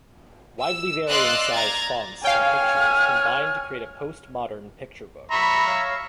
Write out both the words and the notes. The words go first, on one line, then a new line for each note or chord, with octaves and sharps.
Widely varying size fonts and pictures combine to create a post-modern picture book.
E6
D5 D#5 F5 C6 E6 F#6
A#5 G#6 A6
C#5 F5 G5 G#5 F6
E5 A#5 B5 C#6
C#5 F5